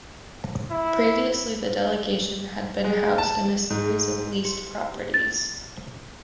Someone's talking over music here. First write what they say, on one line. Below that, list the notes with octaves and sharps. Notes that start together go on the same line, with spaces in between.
Previously the delegation had been housed in a series of leased properties.
E4
G#3
A5
G#2
G4
A6